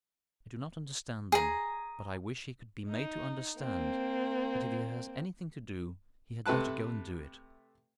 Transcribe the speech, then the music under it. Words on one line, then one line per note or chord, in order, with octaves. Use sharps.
I do not understand them; but I wish he could be made to understand that if he has anything to do, he had better go and do it.
G#4 A#5
D#4
A#3 C4
C3 A3 B4 A5 F#6